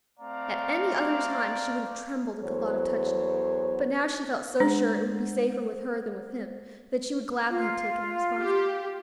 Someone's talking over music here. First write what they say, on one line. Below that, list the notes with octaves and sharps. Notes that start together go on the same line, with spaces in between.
At any other time she would have trembled at the thought of touching it; but now she felt so sure it would be safer with her than with him, that she would gladly have taken the responsibility.
A3 C4 D5 F5 A#5
E2 F#3 A4 C5 C#5
G#3 D4 C5 F#5
F4
G4